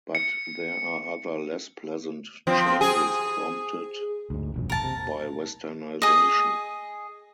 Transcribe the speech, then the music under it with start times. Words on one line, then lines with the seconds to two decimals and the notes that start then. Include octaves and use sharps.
But there are other less pleasant changes prompted by westernization.
0.15 C#7
2.47 F3 C4
2.81 G#4
4.30 D2 G#2
4.54 E1 A#1 F#2
4.70 A#4 A5
4.83 C3
6.02 G#4 D#5